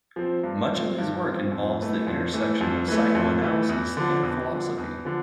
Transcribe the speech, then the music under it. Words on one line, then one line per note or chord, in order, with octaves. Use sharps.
Much of his work involves the intersection of psychoanalysis and philosophy.
F3 C4
G2
F3 C4
G2
F3 C4
F2
E3 A3
F2
E3 A3
F2
E3 A3
F2
E3 A3
E2
D3 F3
E2
D3 F3
E2
D3 F3